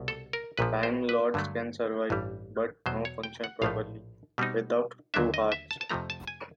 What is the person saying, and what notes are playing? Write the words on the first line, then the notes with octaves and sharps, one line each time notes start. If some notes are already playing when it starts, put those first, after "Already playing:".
Time Lords can survive, but not function properly, without two hearts.
Already playing: C2 B2
A4
A#4
A#1 A#2 F3 B4
C5
B4
G2 D3 F#3 A3
A1 G2 E3 G3
E2 B2 F#3 C5
C#5
G5
F#5
A#1 A2 F3 A3 F5
B2 G3 C4 D#4
D#2 D3 F#3 A3 D4 E5
D#5
E5
A5
A5
F2 C3 F3 A3 A#5
A5
G#5